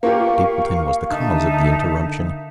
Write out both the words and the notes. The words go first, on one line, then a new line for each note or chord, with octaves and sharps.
Stapleton was the cause of the interruption.
A#3 F4 G4 F5 C#6
D3 D#4 E5 A5